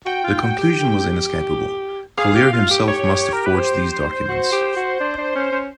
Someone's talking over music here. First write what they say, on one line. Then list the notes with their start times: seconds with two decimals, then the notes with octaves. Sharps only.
The conclusion was inescapable-Collier himself must have forged these documents.
0.06 F#4 G5
0.24 F4
0.42 F#4
0.59 G4
2.18 G#4 F5
2.35 G4
2.53 F4
2.70 G4
2.88 G4 C#5
3.33 A#4
3.46 B4
3.59 C5
4.29 F#4
4.52 G4
4.76 F#4
5.00 D4
5.18 D4
5.35 C#4
5.52 C#4